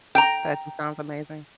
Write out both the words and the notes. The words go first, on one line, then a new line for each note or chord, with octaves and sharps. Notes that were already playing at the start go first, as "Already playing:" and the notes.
that sounds amazing.
G5 A#5